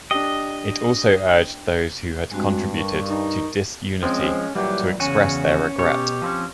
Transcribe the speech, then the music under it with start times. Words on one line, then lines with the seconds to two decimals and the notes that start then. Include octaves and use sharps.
It also urged those who had contributed to disunity to express their regret.
0.11 D4 G4 D#5
2.32 G2 G#3 C4 F#4
2.75 A#4 C#6
3.08 D#4
4.03 F3 G#3 C4 C#4
4.55 A#2 E3 F#3 G3 G4
5.00 E2 C#3 C#4 F#4 G#5
5.79 B2 G4 C#5
6.22 F3 C4 C#4